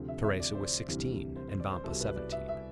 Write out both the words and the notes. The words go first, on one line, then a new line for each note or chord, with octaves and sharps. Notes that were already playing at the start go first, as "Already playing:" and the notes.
Teresa was sixteen, and Vampa seventeen.
Already playing: D2 C3 F3
E5
E5
D5
C5
D5
D2 C3 E3 G3
C5
C5
D5
C5
C2 B2 G3 A4
B4
D5
E5
E5